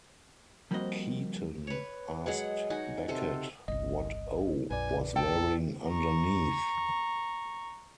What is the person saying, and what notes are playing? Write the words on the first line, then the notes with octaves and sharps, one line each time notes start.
Keaton asked Beckett what O was wearing underneath.
F3 G3 A#3 C4 F#4 D#5
B4 C#5
F#3 G#3 G#4 F#5
D#4 F#4 G#5
C3 A4 C5
G1 C2 D#5
A#1 F2 B4 D5 G#5
A4 G5
A#5 C#6